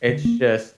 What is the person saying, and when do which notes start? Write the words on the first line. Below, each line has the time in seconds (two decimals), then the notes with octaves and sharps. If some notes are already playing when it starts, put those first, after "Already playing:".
it's just
0.09 D3
0.25 A#3